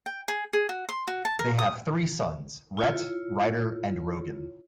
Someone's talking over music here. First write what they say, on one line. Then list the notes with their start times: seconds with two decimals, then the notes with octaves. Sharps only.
They have three sons: Rhett, Ryder, and Rogan.
0.06 G5
0.28 G#4
0.53 G#4
0.69 F#4
0.89 C6
1.07 F#4
1.25 A5
1.39 A#4
1.59 D#6
2.77 E4 F4 C#5